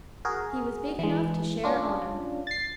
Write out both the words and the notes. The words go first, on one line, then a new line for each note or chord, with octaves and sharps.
He was big enough to share honor.
F#4 G#4 A#4
E3 G#3
C#4 D4 F4
A6 C7